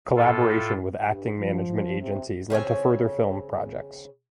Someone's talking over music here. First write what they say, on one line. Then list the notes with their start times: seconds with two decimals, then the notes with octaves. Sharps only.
Collaboration with acting management agencies led to further film projects.
0.16 A2 F4 A4
1.08 G2
1.39 F3
2.00 C3
2.50 C#3 C4 C#5 G#5